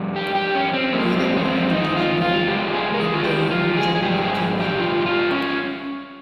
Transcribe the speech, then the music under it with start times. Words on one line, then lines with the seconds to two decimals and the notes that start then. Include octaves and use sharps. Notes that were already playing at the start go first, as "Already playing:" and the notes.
He then rang a little bell, and the young gentleman came in.
Already playing: F2 G3
0.16 G4
0.35 G4
0.55 C#4
0.74 C4
0.93 G2 F3 G#3 A#3
1.19 C4
1.37 C#4
1.45 C4
1.71 D#4
1.97 F4
2.22 F4
2.48 F2 C#3 G#3 G4
2.74 G#4
2.94 A#4
3.00 G#4
3.14 F4
3.24 G4
3.51 F4
3.77 G#4
3.95 G#4
4.02 G#2 D#3 G3 G4
4.22 G#4
4.60 G4
4.80 F4
5.01 G4
5.06 F4
5.31 C#4